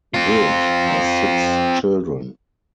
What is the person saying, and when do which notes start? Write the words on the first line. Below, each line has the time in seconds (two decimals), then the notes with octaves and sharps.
Wood has six children.
0.14 C4 F4